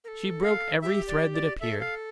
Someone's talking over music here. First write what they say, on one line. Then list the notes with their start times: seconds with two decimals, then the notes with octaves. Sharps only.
She broke every thread that appeared.
0.04 A#4
0.08 A4
0.43 F5
0.82 G4 E5
1.08 D5
1.35 D5
1.61 A4 E5
1.81 F5